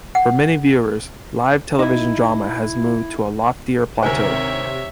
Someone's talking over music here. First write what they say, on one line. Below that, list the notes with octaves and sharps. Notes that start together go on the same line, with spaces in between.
For many viewers, live television drama had moved to a loftier plateau.
F#5
D#4 E4
G#1 D2 C3 A#4 C5 C#5 E5 G#5